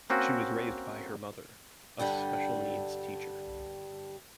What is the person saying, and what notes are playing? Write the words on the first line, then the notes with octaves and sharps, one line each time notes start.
She was raised by her mother, a special-needs teacher.
A#3 C4 C#4 F#4
G2 D3 G3